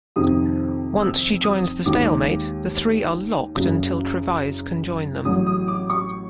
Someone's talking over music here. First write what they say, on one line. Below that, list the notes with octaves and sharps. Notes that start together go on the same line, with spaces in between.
Once she joins the stalemate, the three are locked until Trevize can join them.
F2 C3 D#3 D#6
E6
D#6
D#2 D#3 G#3 D6
F#1 F#2 C#3
A1 A2 F#3 D#6
D#6
D6
C#6